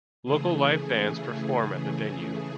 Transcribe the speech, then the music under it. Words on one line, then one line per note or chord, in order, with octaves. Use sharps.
Local live bands perform at the venue.
C#3 E3 A3 G#4